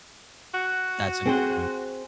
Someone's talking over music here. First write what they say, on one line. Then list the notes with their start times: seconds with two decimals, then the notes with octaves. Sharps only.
That's a good one.
0.54 F#4
1.26 C4 G#4 C5